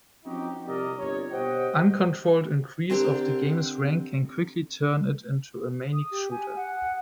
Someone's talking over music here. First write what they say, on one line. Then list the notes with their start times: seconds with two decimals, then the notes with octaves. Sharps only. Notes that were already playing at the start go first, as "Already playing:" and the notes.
Uncontrolled increase of the game's rank can quickly turn it into a manic shooter.
0.25 F3 C4 C#4 D#4 F#4 G4
0.66 C2 C3 G4 A#4 D5 D#5
0.98 G1 C#5
1.31 B2 G4 C5 D#5 F#5 G5
2.90 D3 C4 D4 G4 A#4
5.93 D#6
6.11 G4
6.31 G#5
6.56 F#5